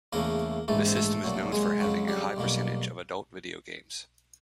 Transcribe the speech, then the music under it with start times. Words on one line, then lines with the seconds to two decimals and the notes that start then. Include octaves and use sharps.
The system is known for having a high percentage of adult video games.
0.13 E2 C#3 E3 A3 A#3 A#4
0.68 A#1 G#2 E3 A3 A4
0.87 C4 C5
0.96 A3 A4
1.24 C2 A#2 F#3
1.52 G#3 G#4
1.80 F2 C#3 F#3
2.08 G3 G4
2.37 B1 B2 G3 A#3